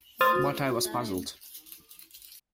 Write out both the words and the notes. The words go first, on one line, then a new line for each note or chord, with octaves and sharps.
But I was puzzled.
C5 D#6 F6 A6